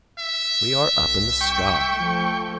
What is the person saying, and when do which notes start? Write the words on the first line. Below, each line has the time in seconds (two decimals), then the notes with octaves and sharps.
We are up in the sky.
0.19 E5
0.92 C2
1.41 G5 C#6
1.92 F3 A3